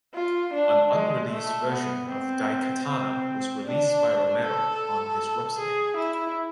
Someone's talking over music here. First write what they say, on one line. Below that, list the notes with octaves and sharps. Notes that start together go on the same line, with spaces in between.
An unreleased version of "Daikatana" was released by Romero on his website.
F4
D4
G#3
A3
B3
C4
C4
D4
A4
G#4
E4